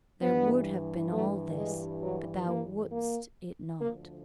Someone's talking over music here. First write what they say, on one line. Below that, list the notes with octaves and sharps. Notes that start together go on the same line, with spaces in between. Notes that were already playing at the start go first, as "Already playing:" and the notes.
There would have been all this--but thou wouldest it not.
G2 E3 B3
A3
G#3
F#3
A#3
A#3
D2 D3 F3 A#3